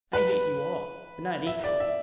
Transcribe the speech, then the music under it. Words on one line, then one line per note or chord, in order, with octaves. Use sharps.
I hate you all, but not equally.
B4 B5
E5
D5
E5